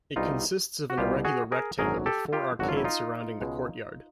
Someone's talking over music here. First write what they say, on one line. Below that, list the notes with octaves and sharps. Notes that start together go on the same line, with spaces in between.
It consists of an irregular rectangle with four arcades surrounding the courtyard.
C2 B2 G3 D#4 F4
F#4
C2 B2 G3 F4 G4
F#4 G#4
G#4 A#4
G#1 F#2 D3 F#3 G#4 A#4
G4 A4
F4 G4
G#1 F#2 D3 F#3 F#4
F4
E4
D#4 F4
C#2 B2 G#3